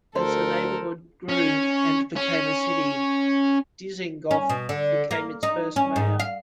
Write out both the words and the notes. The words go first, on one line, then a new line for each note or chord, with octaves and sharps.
As the neighborhood grew and became a city, Dizengoff became its first mayor.
D2 A4 A#4 C5
C#4
C#4
C#4
B2
D3
A#3
D#4
C#4
G#2
F5